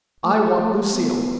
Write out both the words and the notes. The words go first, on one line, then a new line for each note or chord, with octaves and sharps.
I want Lucille.
A3
A3
B3